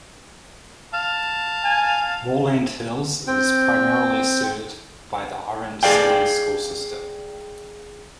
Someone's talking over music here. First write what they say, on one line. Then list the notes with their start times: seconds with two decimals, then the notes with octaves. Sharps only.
Moreland Hills is primarily served by the Orange City School System.
0.94 F5 A5
1.65 G#5
3.27 C4 G5
5.83 G#4 D5 F5 G5